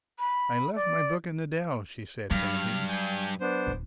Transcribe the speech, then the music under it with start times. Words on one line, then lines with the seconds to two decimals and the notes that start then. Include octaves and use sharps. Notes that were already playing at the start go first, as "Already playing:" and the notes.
"I left my book in the dell," she said, panting.
0.19 B5
0.75 D5
2.31 G2 F#3 F6
2.89 G#5 G6
3.41 B3 D4 C5
3.67 D1